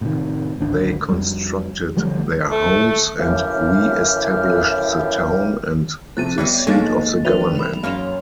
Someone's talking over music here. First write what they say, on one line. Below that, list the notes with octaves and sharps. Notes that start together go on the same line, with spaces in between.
They constructed their homes and reestablished the town and the seat of the government.
A2 C3 D#3
G#1 D2 D4
F2 G3
D3 F3 G3 A3
A3
F#2 A2 E3 F3 G4 F6
C3 F3 A3 F#6 A6 D#7
G3 B3 B4 C#5 D#5
G#2 F3 G#3 A#3 D#4 A4 F5 A6
E3 D4 F4 B4 E5 F7
B5 F7
F#2 A#3 C#4 F4 F6